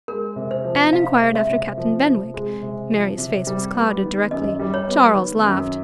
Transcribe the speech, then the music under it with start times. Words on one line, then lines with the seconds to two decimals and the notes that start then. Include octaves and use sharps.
Anne enquired after Captain Benwick, Mary's face was clouded directly. Charles laughed.
0.08 G#3 A#4
0.36 C3
0.51 C5
0.65 F3
0.93 C3 F5
1.21 G#3
1.35 E5
1.49 C3
1.78 F3
2.06 C3
2.34 G#3
2.62 C3
2.91 F3
3.18 C3
3.47 G3
3.74 B3
4.03 D#3
4.31 F#2 D#5
4.59 G3
4.74 C#5
4.87 B3
5.15 D#3
5.44 F#2